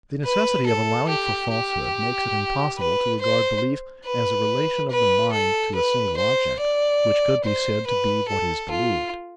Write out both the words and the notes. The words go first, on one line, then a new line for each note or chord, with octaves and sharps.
The necessity of allowing for falsehood makes it impossible to regard belief as a relation of the mind to a single object, which could be said to be what is believed.
B4
A4
G4
G4
B4
C5
B4
B4
A4
B4
C5
D5
C5
B4
A4
F4